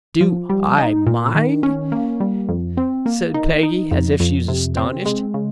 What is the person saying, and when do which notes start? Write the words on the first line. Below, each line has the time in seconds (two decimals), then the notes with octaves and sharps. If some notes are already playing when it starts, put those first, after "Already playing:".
"Do--I--MIND?" said Peggy, as if she was astonished.
0.21 F3
0.49 G3
0.78 D#4
1.07 A#2
1.35 D#3
1.63 C#4
1.92 A#3
2.20 G3
2.49 F2
2.77 C4
3.06 A#3
3.34 D#4
3.63 D#4
3.91 F2
4.20 F2
4.48 C3
4.77 C4
5.06 G#3
5.34 C#3